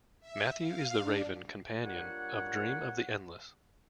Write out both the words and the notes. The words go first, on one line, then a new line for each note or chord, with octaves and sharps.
Matthew is the raven companion of Dream of the Endless.
E5
F5
D4
G3 A#3 D4 F4 C#5 F#5